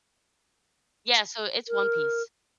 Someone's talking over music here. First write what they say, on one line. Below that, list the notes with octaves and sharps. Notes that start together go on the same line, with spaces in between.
Yeah, so, it's One Piece.
A#4